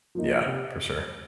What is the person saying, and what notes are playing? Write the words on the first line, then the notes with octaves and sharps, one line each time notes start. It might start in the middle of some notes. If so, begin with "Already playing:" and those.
Yeah. For sure.
F3 A#3 D#4
C3